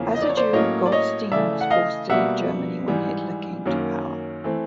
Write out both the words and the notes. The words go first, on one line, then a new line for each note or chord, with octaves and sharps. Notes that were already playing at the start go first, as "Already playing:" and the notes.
As a Jew, Goldstein was forced to leave Germany when Hitler came to power.
Already playing: E2 C#3 F3 A#3 C#4
D#5
D5
C#5
C5 D5
A2 F#3 A#3 C#4 C#5 D#5
D5
C#5 D#5
C#3 E3 A3 D5 E5
F#5
D#5 F5
B2 G3 A#3 E5 F#5
G#2 E3 G3
F#2 D#3 F#3 A#3 C#4
E3 A3 C4